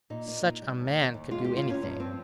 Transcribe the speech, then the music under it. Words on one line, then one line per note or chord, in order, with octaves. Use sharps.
Such a man could do anything.
A#2 D#4
A#3 D#4
A#2
G3
D#2
D#3
D#2
G#3 F4
D#2 G4
F4
D#3 C#4
G2 C#4
F3 C4